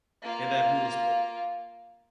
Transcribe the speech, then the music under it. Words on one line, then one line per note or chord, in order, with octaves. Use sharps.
in that brutal sport
A#3 F4